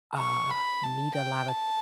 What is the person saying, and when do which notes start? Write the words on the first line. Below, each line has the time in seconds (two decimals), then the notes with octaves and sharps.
uh, meet a lot of
0.18 C#6
0.50 B5
0.83 A5
1.15 G5
1.48 A5